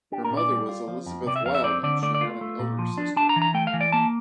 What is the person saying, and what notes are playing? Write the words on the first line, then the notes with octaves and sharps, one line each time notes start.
Her mother was Elizabeth Wild and she had an elder sister.
D4 G4
A#4
A#2
D5
G3
F4
F3
F2
C3 D5
E5
F2 F5
E5
C4 D5
D3 D5
A3 D5
D5
F4
A3
A#2
F3
D4
D4 A5
A#5
E3
A#5
A3 G5
F5
E3
D5
A#3 A5